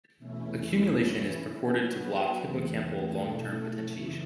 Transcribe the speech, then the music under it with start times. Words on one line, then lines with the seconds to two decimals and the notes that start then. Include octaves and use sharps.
Accumulation is purported to block hippocampal long-term potentiation.
0.17 E2 B2 A3 C#4 E4
0.93 E3 C#4 E4
1.66 F#3 B3 F#4 B4
2.41 E2 C#3 E3 A3
3.16 B2 A3 E4 A4
3.90 F#2 C#3 E3 B3 E4